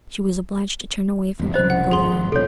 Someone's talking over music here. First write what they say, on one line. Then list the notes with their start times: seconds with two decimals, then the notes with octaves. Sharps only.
She was obliged to turn away from him and go on.
1.40 E2 G#2 C3
1.54 C2 C#3 C5 D#5
1.70 F#5
1.91 G#1 F2 G#4 C6
2.12 G#1
2.32 C2 B2 F3 A4 C#5